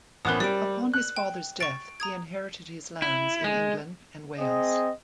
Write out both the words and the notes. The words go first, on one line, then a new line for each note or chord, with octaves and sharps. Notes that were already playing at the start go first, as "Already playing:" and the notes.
Upon his father's death, he inherited his lands in England and Wales.
A1 B3 A#4 C5 D#6 F#6
G3 G4 D5 D7
F#6
G5
C#6 A6 D7
A#5 D#6 G#6
E4
G#3
C4 G#4 D#5